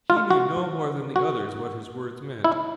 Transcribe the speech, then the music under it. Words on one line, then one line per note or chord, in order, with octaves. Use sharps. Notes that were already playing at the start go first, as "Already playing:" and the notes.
He knew no more than the others what his words meant.
F4
F#4
F#4
E4